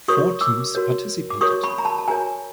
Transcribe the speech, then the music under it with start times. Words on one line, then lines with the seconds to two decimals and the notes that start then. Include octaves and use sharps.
Four teams participated.
0.08 F#4 A#4 C#5 C#6 D#6
0.41 D6 E6
0.75 F#4 A#4 C#5
1.30 D6
1.41 F#4 A#4 C#5 C#6 D#6
1.63 B5 C#6
1.78 A#5
1.85 A5 B5
1.98 A5
2.08 F#4 A#4 C#5 G#5 A#5